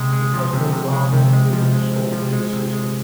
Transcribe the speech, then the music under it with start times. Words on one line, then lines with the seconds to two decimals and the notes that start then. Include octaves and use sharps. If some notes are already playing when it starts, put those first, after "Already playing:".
It has no lava, rilles, or ray system.
Already playing: C3 G#3
0.13 G#3
0.33 F3
0.53 C3
0.73 C3
0.93 G#3
1.13 C3
1.33 G#3
1.53 F3
1.73 G#3
1.93 C3
2.12 F3
2.33 G#3
2.53 C3
2.73 G#3